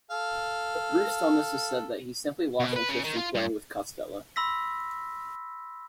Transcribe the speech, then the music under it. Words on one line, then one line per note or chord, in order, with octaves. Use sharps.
Bruce Thomas has said that he simply lost interest in playing with Costello.
A4 F5
B2
B4
C#3
D#3
F4
G2
B5 C6 E6 A#6 B6